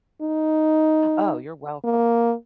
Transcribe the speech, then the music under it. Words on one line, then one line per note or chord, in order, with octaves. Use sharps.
Oh, you're welcome.
D#4
A#3